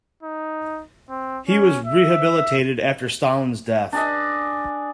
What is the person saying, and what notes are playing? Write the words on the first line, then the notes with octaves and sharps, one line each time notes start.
He was rehabilitated after Stalin's death.
D#4
C4
C#4
E5
D4 G#4 D#5